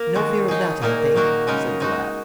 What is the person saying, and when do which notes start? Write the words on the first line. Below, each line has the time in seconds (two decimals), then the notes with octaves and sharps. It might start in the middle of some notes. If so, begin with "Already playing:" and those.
No fear of that, I think,' said the lad.
Already playing: A#3 A#4
0.15 D#3 G#3 F#4
0.48 F#3 D#4 G#4
0.82 A#2 A#3 D#4 A#4
1.14 D#3 A#3 D#4 F#4 A#4
1.47 C#3 G#3 D#4 A#4
1.80 G#3 D#4 F#4